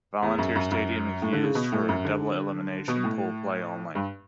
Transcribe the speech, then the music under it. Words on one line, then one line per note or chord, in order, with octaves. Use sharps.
Volunteer Stadium is used for double-elimination pool play only.
E2
F#2
F#2
F#2
A2
D3
C#3
B2
A2
F#2
D3
B2
A2
G2